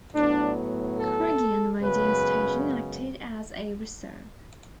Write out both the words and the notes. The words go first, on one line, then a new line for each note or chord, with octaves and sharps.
Criggion radio station acted as a reserve.
A2 F#3 B3 D4
A4
F#2 C#3 G#3 B3 B4